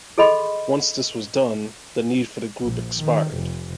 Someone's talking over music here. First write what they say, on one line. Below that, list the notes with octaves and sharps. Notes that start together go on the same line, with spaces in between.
Once this was done, the need for the group expired.
G#4 A4 D#5 B5 C6
A#1
D#3
F1